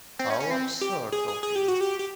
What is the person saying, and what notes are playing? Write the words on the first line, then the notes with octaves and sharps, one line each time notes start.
How absurd of you!
C4
C#4
C#4
C4
G4
G#4
G#4
G#4
G4
F#4
G4
G4